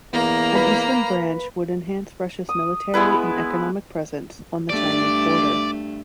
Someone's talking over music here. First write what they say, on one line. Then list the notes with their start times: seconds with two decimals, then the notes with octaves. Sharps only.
An eastern branch would enhance Russia's military and economic presence on the Chinese border.
0.13 E2 A#3 A#5
0.55 B4
2.49 D#6
2.94 G#3 B3 E4 B4
4.70 G2 A3 D5